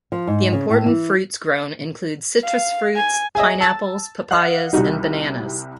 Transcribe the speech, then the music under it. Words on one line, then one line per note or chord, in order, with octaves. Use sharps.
The important fruits grown include citrus fruits, pineapples, papayas, and bananas.
F3
G#2
C#3
A2
E3
F5
G#5
G#4 D#5 E5 G#5
A5 E6 A6
D#5 F5 F#5 F#6
C2 G3 D#4 F#4